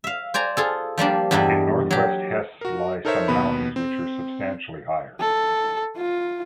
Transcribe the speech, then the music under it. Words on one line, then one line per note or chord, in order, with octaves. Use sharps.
In northwest Hesse lie some mountains which are substantially higher.
E5 F5
C5 D5 G#5 A#5
F4 G#4 A4
F3 G3 A#3 D4
E2 G2 G3 D4 E4 D#5
F#3 G4
F#4 A#4
D#4 A4 A#4 C5 C#5 E5
D#2 B2 B3 B5
C4
A4
F4